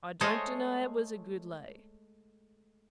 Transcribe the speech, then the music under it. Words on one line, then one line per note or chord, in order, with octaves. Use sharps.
I don't deny it was a good lay.
G#3 A3 C5 C#5 D#5